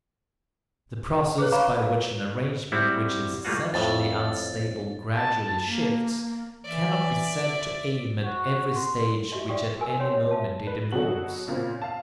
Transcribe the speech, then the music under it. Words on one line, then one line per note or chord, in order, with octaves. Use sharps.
The process by which an arrangement which is essentially unstable gradually shifts cannot be said to aim at every stage which at any moment it involves.
G#4 B4 C#5
C#5 F5 A#5 B5 C#6
F5
G3 C4 E4 F#4
G3 A3 A#3 F4 F#4
F2 A2 A6
A5
A#3
E3 D5 E5
F#4
C6
F#4 G4 D#5 E5
D5 E5 G5 C#6 D#6
F#4 A#4 G#5 E6
D#4 C#5 G5 C6
C#5 D#5
E5 A5
B4
B2 F#3 F#4 F#7
A#2 C#3 A#3 C4
F5 A5